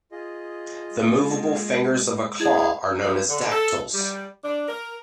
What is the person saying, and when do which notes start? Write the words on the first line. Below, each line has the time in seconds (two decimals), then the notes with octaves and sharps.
The moveable fingers of a claw are known as dactyls.
0.12 F4 G#4 D#5
0.91 G#3 A#3
2.40 E4 G#4 G#6
3.04 F#2
3.29 D3
3.52 A4
3.94 G3
4.44 D4
4.68 A#4